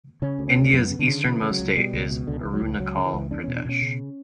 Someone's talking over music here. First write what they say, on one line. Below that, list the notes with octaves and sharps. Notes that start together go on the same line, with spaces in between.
India's eastern-most state is Arunachal Pradesh.
C#3 C#4
D2
C#4
D2
F#2 B3
C#3
D3
C#3
C#3 E3
C#3
F#3
C#2
B2 G3
C#2
B2
C#2 D3
C#2 E3
F#3
C#2 E3
E3
C#2 F#3
C#3
E3
C#2
E2 D4
B2 C#4
D4
B2 C#4
C#3